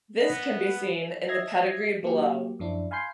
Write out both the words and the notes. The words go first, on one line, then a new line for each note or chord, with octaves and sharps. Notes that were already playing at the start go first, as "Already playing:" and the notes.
This can be seen in the pedigree below.
B3 D#5
D#5 E5 G#6 A#6 C7
F#3 A#3 G4
F#2 F3 D4 E4
F5 G#5 B5 C6 G6 C7